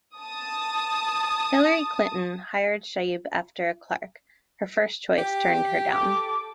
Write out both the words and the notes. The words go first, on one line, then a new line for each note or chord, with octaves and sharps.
Hillary Clinton hired Scheib after Clark, her first choice, turned her down.
A5 D#6
G4
A4 D6